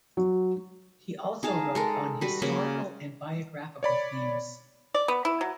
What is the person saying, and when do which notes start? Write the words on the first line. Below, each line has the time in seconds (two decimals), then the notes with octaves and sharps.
He also wrote on historical and biographical themes.
0.17 F#3
1.43 D#4 G#4 F5 A5
1.75 G#3 A4 A#4
2.21 G3 F#4 B4
2.42 C#3 A#3 A#4 B5
3.83 C#5 D5 B5
4.94 D5
5.08 B3
5.25 E4
5.41 F#3